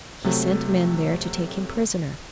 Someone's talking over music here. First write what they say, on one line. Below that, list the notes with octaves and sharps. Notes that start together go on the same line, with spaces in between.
He sent men there to take him prisoner.
C3 F#3 A3